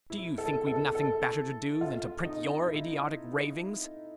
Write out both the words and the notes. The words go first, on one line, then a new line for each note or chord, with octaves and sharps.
Do you think we've nothing better to do than to print your idiotic ravings?
E4
A4
A4
A4
F4
D#4
E4